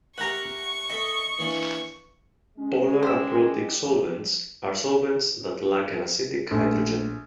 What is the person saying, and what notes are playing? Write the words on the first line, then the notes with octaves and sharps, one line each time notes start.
Polar "aprotic" solvents are solvents that lack an acidic hydrogen.
G4 A#4 E5 F#5 A#5 C#6
A4 D#5 E5
E3 A#3 D4
G#3 C#4
C5 D5 G5 E6
F3
A#1 A3